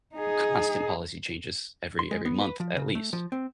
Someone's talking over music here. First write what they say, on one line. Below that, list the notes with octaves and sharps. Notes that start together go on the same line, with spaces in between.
constant policy changes every every month at least.
D#4 G#4
C6
G#3
B3
B4
F3
C#3
A3
F3
C4